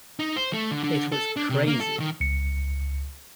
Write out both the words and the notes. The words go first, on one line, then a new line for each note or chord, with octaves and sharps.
It was crazy!
D#4
C5
A3
D3
D3
A4
D4
C3
A#3
A4
D#3
C#2 C#7